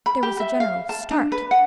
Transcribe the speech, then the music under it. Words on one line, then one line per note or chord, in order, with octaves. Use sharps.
There was a general start.
B5
G4
E5
F5
A5
D4
B4
F#5